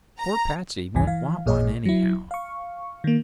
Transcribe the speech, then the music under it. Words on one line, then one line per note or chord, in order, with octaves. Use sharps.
Poor Patsey won't want one, anyhow.'
A#5
A1 D2 G2 E3 G#5
E3 F5
A1 A#2 G#4 C#5 D#5
F#3 E4
F5 C#6
D#3 A#3